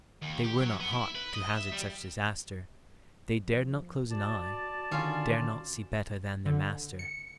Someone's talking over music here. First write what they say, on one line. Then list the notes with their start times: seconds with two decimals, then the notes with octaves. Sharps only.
They were not hot To hazard such disaster; They dared not close an eye--dared not See better than their master.
0.22 D#2
0.44 G4
0.61 F#3
0.80 B3
0.93 E4
1.15 B4
1.34 D#5
1.55 E5
1.72 G3
3.41 F3
4.11 F#4 D5 A5
4.91 D3 D#3 C#4 F4 C#5
6.46 D3
6.99 C#7